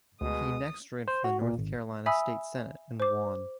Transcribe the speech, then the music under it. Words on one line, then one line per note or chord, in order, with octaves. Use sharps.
He next ran for the North Carolina State Senate and won.
D2 B2 G#3 D#6
C5
F#4
A#2
G#1
E5 G#5 B5 D#6 E6
C5 D6